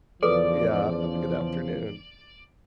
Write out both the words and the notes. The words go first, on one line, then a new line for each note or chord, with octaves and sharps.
Yeah, have a good afternoon.
E2 C#3 F3 A4 B4 D5 D6